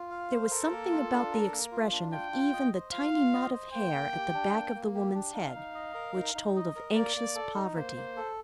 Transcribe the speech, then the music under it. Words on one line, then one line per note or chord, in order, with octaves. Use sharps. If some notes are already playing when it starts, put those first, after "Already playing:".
There was something about the expression of even the tiny knot of hair at the back of the woman's head which told of anxious poverty.
Already playing: F4
F5
C5
A4 A#4
A#3
F4
D4
A#4
A#3
F4
D4
F4 G5
F4
D#5
C5
F4 F5
F4
D#5
C5
A#3 G5
A#3
G4
D4
A#3
A#3
G4
D4
D#4 F5
D#4
D#5
A#4
D#4
D#4
D#5
A#4
A#3 D5
A#3
A4
D#4
A#3 C5
A#3
A4